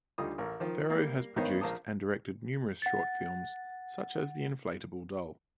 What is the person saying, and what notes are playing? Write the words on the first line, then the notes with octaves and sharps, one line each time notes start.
Ferro has produced and directed numerous short films such as The Inflatable Doll.
D2 D3 G3 D#4 F4 D#6
A1 A#4
D#3 F3
G3 A#3
G2 D#3 B3 D#4 C5 C#5
A#1 A#4 C5 A5 D#6
F#5 A6